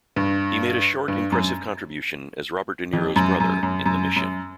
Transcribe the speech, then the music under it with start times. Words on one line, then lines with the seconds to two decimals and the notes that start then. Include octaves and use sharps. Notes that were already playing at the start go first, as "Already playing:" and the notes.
He made a short impressive contribution as Robert De Niro's brother in "The Mission".
0.16 G2
1.08 G2
1.32 F#2
2.93 F2
3.16 F#2
3.40 F#2
3.63 F#2
3.86 F#2
4.16 F#2